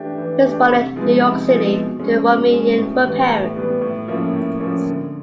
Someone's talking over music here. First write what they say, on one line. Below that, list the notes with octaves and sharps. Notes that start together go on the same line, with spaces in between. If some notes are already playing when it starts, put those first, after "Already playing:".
He was born in New York City to Romanian parents.
Already playing: E3 A3 D4 G4
E3
A3 D4 G4
C3
F3 G#3 B3 D#4
C3
F3 G#3 B3 D#4
B2
G#3 C#4
B2
G#3 C#4
A2
E3 G3 B3
A2
E3 G3 B3
A2
F3 A#3 C#4 E4
A2
F3 A#3 C#4 E4
D3